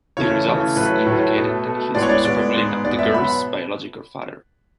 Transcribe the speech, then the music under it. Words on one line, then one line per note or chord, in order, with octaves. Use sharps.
The results indicated that he was probably not the girl's biological father.
C#3 E3 A3 C#5
C#3 E3 A3
A2 F#3 A3 B4
A2 F#3 A3
B2 A3
B2 A3
A2 G#3 B3 D5
C#5
D5
A2 G#3 B3 D5
G#2 G#3 B3
G#2 G#3 B3 D5
E5
B2 F#3 B3 B5